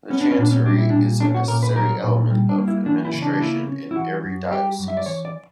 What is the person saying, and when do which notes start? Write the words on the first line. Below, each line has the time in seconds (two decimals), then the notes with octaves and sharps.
The chancery is a necessary element of administration in every diocese.
0.10 B3 C#4
0.21 D4
0.31 C#4
0.38 A#2 D4
0.51 C#4
0.66 G3 D4
0.78 E4
0.90 A#2 D4
1.20 C#4 D4
1.34 F#4
1.48 A#2 A#4
1.63 B4
1.75 F#3 A#4
2.03 A#2
2.31 G3
2.49 D4
2.58 A#3
2.68 E4
2.86 E3 D4
3.05 E4
3.14 C#3
3.22 D4
3.34 D4
3.41 A#3 E4
3.68 C#4
3.91 E4
3.96 E3 F#4
4.24 F#2
4.51 G3 G4
4.79 F#2
4.88 E5
4.97 D5
5.06 E3 C#5
5.25 D5